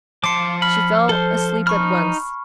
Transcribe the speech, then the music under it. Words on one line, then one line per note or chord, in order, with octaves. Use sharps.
She fell asleep at once.
F3 A5 C6 D6 C7 C#7
B5 F6
A4 C5
D#4 B5 C#6 F6